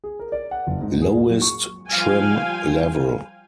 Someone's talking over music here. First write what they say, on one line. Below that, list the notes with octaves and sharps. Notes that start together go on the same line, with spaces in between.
Lowest trim level.
G#4
A#4
D5
F#5
F#1
G#2
G#4
A#2
F#3
C#6
F3 G3 F5 G5 G#5